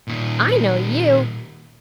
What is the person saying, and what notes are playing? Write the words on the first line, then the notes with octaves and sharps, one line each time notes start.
"I know you!"
A#2 D#3